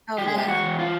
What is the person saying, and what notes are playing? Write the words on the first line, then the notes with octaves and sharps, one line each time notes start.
Oh yeah.
G#3 G4
G#4
G4
F#4
E3
F4